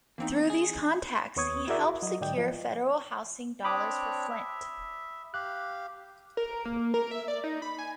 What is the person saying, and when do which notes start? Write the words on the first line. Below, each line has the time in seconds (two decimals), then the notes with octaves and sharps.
Through these contacts he helped secure federal housing dollars for Flint.
0.18 E2 A#3 C4 D#4
0.50 G#4
1.36 D#2 B3 C#5 C#6 D#6 G#6
1.68 E4 F#4 G#4 A#4 D5 E5
2.02 F#3 D#5
2.21 G#2 D3 D5 D#5 G5
2.38 F3
3.64 C4 D4 C#5 B5 D6 D#6
4.30 E5
5.34 G4 F5 F#6
6.37 A#4
6.65 A#3
6.94 A#4
7.11 E5
7.28 D5
7.44 D#4
7.62 B5
7.79 G#5